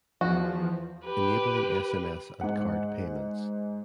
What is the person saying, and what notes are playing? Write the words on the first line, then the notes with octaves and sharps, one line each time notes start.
Enabling sms and card payments.
E2 F3 F#4
G4 B4
G#2 F#5